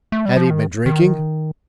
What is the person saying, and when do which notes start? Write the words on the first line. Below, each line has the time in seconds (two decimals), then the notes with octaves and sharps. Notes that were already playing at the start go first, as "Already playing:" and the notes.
"Had he been drinking?"
0.12 A3
0.25 G3
0.37 F3
0.50 D#3
0.86 D#3